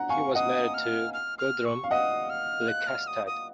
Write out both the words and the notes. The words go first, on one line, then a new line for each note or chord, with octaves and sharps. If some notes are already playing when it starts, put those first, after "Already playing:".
He was married to Gudrun Blekastad.
Already playing: F#5 A#5
F5 G#5 C#6
D#5 F#5 D#6
F6
F6
F6
C#6
F5
D#5 F#5 D#6
F6
F#6
F6
D#6
D#6